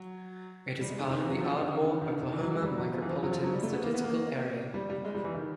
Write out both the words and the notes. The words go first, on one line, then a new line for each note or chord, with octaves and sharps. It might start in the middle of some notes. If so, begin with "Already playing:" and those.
It is part of the Ardmore, Oklahoma Micropolitan Statistical Area.
Already playing: F#3
G3
G#3
D3
D#3
E3
F#3
F3
D3
D3
C#3
D3
D#3
D3
D#3
E3
F#3
G#3
G3
F#3
F3
E3
F3
F#3
F3
F#3
G3
A3
B3
A#3
B3
A#3
G3
G3
G#3
G3
E3
D#3